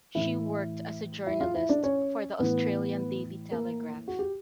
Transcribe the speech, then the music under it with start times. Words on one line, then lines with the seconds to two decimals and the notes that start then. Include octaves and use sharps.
She worked as a journalist for the Australian "Daily Telegraph".
0.15 A2 E3 E4 E5
1.27 E4 E5
1.41 F4 F5
1.55 E4 E5
1.69 D4 D5
1.83 C#4 C#5
2.39 A2 E3 B3 B4
3.51 A#3 A#4
4.08 F#4
4.19 G4